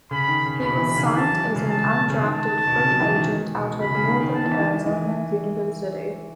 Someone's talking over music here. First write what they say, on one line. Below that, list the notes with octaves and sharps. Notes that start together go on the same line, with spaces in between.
He was signed as an undrafted free agent out of Northern Arizona University.
C#3 B5
D#3
C#3
B2
C#3 B5
E3
D#3
C#3
D#3
E3 A5
F#3
G#3
C#3
A5
C#3
B2
C#3
D#3 A5
B2
C#3
F#3
E3
D#3
D#3
B2
C#3 B5
C#3
D#3
D#3
D#3 A5
E3
E3
E3
E3